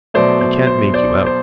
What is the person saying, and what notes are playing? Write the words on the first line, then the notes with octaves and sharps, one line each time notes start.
He can't make you out.
B2 F#3 A3 C5 D5
C5
C5
C5 D5
C5